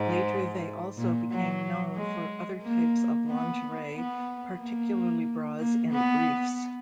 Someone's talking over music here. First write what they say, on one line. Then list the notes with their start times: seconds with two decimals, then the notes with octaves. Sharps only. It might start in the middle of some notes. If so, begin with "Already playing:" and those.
Later they also became known for other types of lingerie, particularly bras and briefs.
Already playing: G#2
0.97 A#2
1.31 F#3
1.96 G#3
2.62 A#3
3.28 B3
3.94 B3
4.59 A#3
5.59 A#3
5.92 B3